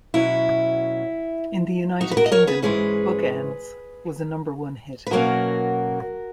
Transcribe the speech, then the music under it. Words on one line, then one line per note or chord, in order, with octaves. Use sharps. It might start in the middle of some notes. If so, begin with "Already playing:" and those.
In the United Kingdom, "Bookends" was a number one hit.
B2 F#3 C#4 E4
D#4 F#4
B4
F#4 A#4
D#5
A#4 C#5
G#4 B4
G#2 E3 G#3 C#4 G#4 B4
B4
B2 F#3 A#3 C#4 F#4 A#4